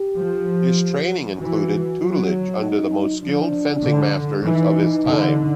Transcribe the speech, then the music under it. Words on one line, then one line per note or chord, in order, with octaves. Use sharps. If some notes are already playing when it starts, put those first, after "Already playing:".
His training included tutelage under the most skilled fencing masters of his time.
Already playing: G4
F3
E3 F#4
F#3
D#4
F3 D4
D3
E3 D#4
D3